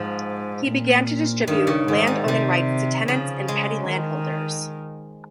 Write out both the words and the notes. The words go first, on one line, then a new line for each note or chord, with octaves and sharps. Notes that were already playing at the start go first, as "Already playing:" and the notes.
He began to distribute landowning rights to tenants and petty landholders.
Already playing: G#2 F3
A#2
G2 D#3
C#3
G#2 D#3
G3
C3 G3
C#3 F3
G#3
D#3